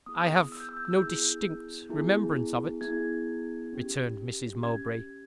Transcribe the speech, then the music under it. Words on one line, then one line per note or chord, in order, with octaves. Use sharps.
"I have no distinct remembrance of it," returned Mrs. Mowbray.
B3 E4 G#4 D#6
E6
G6
E6
G6
E6
B3 E4 G#4 G6
B3 E4 G#4
B3 E4 G#4 G#6
C#4 G4
C#4 G4 G#6